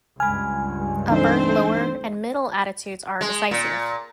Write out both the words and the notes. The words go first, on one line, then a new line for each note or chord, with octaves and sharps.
Upper, Lower and Middle attitudes are decisive.
C#2 G2 G#5 B5 F6
E3 A3 C4 D4 D#4 C5
G#3
A#2